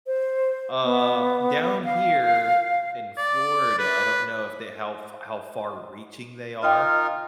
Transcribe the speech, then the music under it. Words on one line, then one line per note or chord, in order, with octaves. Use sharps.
Uh, down here in Florida, I don't know if they how f how far reaching they are,
C5
B3
F5
D5
B4
D#4 F4 A#4 D#5 G5